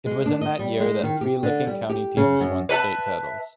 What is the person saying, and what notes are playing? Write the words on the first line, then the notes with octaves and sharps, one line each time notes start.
It was in that year that three Licking County teams won state titles.
G#3
D4
D#5
G3
G#3
D#3
G4
D3
G3
G4
C#3
F#2
B4 E5 F#5 A5